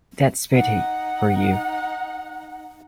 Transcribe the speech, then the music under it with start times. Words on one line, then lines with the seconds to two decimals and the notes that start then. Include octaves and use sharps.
That's Betty for you.
0.52 D#4 F#5